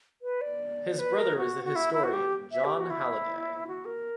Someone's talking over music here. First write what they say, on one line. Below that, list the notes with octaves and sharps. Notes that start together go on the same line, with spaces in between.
His brother is the historian Jon Halliday.
B4
D5
B4
A#4
F#4
F#4
E4
E4
F#4
G4
E5
G4
F#4
E4
F#4
A#4